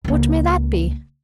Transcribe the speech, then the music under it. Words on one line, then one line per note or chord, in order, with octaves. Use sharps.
"What may that be?"
C#2 A#3